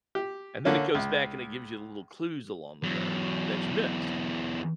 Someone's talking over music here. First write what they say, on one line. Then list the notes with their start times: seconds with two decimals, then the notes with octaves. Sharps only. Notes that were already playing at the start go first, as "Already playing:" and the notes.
and then it goes back and it gives you little clues along the way that you missed,
0.15 G4
0.65 D3 A#3 C#4
0.95 C#2
2.83 E2 F#3